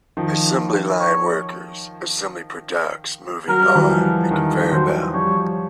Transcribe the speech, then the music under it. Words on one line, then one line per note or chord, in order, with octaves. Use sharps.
Assembly line workers assemble products moving on a conveyor belt.
D#3 F3
C#5
F#3 A#4
G3
E3 F#3
F3 G3
D#3 F3 A#4
E3 F#3 C5
F3 G3 C#5